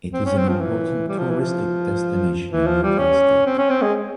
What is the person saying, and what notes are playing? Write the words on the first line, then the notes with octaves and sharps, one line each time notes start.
It is an important touristic destination in Utah State.
C4
C#4
C4
F3
E3
G3
F3
E3
F3
E3
F3
G3
C#4
C4
C#4
C4
G#3